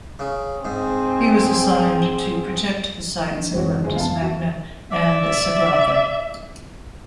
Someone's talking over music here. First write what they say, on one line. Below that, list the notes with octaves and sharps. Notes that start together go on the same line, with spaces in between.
He was assigned to protect the sites of Leptis Magna and Sabratha.
C#3
G#2 C4 G#4
F3 D4
F#2 E3 G#3 C4 F#4 C#5
D2 F3 G#3
F2 B3 F5 A5
F#4
D5 E5